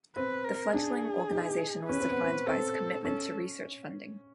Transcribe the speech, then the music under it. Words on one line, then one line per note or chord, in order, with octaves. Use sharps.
The fledgling organization was defined by its commitment to research funding.
C4 B4
A#4
D4 G#4
D#4
C#4 B4
C4
B3
C4
C4 A4
C#4 A4